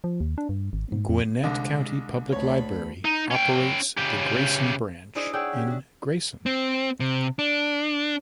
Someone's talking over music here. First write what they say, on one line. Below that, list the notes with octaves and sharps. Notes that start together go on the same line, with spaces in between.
Gwinnett County Public Library operates the Grayson Branch in Grayson.
F3
D#2
D4
G2
G#1
G#2
F2
C2 D3 G#3
D2 C#5 B5
D#4
C#4 G5
C#3 G4
D4 E4 G#4 C5 D5 D#5
G#4 C#5 D5 F#5 G5 E6
C#4 G4
D4 F#4
C4
C3
D4